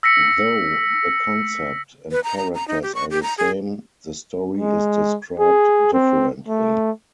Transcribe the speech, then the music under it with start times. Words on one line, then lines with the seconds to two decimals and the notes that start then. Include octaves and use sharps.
Though the concept and characters are the same, the story is described differently.
0.03 E6 A#6 B6 C#7
2.11 B4
2.24 A#5
2.37 A#5
2.54 A#5
2.68 D#4
2.83 G4
2.95 C#6
3.10 G4
3.23 A#5
3.38 G#4
4.57 G#3
5.39 G#4
5.93 C4
6.48 A3